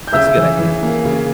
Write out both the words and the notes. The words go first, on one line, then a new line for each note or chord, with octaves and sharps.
That's a good idea.
G6
C#3 E5 E6
E3
E3
A#3
C#3